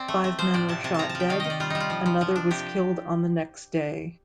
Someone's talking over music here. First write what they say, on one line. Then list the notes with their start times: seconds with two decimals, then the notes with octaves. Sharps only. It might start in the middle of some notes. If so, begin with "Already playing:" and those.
Five men were shot dead; another was killed on the next day.
Already playing: C4 D5
0.08 A3
0.24 A3
0.39 F3 C5
0.54 A2 D5
0.69 C3 A5
0.84 C3 A5
0.94 F3 A5 A#5
1.09 A5
1.15 F3
1.20 G5
1.30 D#3 F5
1.40 D#3 D#5
1.50 D5
1.60 G3 F4
1.70 G3 D#4
1.80 F4
1.90 F3
2.06 F3
2.21 F3
2.36 D4
2.51 C3 G4